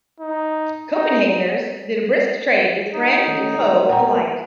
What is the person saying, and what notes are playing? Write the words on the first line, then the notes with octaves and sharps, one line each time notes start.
Copenhageners did a brisk trade with friend and foe alike.
D#4
D#4
D#4
D#3 A3 C#4
A#3
F#5 G5 A#5